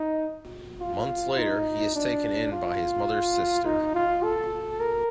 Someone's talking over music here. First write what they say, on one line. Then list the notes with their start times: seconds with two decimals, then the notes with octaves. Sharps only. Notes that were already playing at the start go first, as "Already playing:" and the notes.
Months later, he is taken in by his mother's sister.
Already playing: D#4
0.81 F4
1.38 D#4
1.95 D4
2.52 F4
3.66 D#4
3.95 F4
4.23 A4
4.80 A#4